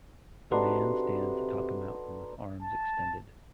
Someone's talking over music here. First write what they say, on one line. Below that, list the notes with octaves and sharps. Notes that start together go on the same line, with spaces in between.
A man stands atop a mountain with arms extended.
C3 D4 D#4 F#4 A4 B4 C6
A5